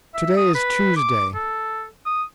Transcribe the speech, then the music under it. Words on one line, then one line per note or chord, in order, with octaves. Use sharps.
To-day is Tuesday.
E5
D#6
B4
D6
A4
D#6